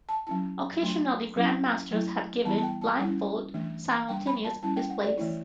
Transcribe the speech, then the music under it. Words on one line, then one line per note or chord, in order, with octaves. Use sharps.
Occasionally, grandmasters have given blindfold simultaneous displays.
A5
F#3 C#4 E4 A5
F#3 A3 D4
F#3 C#4 E4
F#3 A3 E4
E3 G3 B3 E4 A5
A5
G5
A5
G3 C#4 E4 F#5
E3 A3 D4
G3 D4 G5
B5
A5
G3 C#4 E4 A5
G5
F#5
D5
E3 A3 E4 C#5